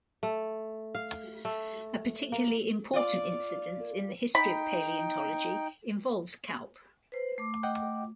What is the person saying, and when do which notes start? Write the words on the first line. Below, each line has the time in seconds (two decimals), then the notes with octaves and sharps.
A particularly important incident in the history of paleontology involves Kaup.
0.23 A3
0.95 F5
1.45 A3
2.32 A#3
2.93 F4 D5
4.35 D#4 G5 B5
7.12 B4 C5
7.38 A3 D6
7.63 D#5 F#5 G5